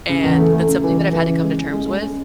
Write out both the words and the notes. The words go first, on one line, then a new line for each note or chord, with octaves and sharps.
And that's something that I've had to come to terms with,
C#3
E2
A3
A3
C#3
E3
E3
E3
C#3
G#3
C#4
G#3
G#3
C#4